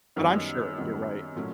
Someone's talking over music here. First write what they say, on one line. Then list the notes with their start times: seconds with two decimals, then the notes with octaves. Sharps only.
but I'm sure you're right.
0.16 F#2 D#3 G3 B3 D#4
0.76 F#2 D#3 G3 B3 D#4
1.36 A#2 F#3 A3 C#4